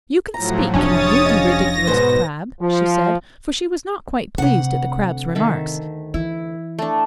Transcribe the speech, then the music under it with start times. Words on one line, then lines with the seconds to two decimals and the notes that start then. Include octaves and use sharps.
You can speak, can you, you ridiculous crab?' she said, for she was not quite pleased at the Crab's remarks.
0.34 A2 F3 F#3 A#5
0.74 F1 C3 F3 C#4 D4 C#5 D#6 A6
1.25 D#5 F5 A#6
1.87 G#2 B2 B3 B4 C5
2.61 F3
4.38 D2 C3 F#5
5.35 D#3 E5 A5
6.14 E3 E4
6.79 A3 D4